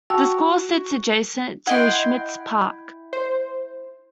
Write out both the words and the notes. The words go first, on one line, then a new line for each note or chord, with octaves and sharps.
The school sits adjacent to Schmitz Park.
F#4 G5 A5 E6
E4 D#5 F#5 G5 C6
C5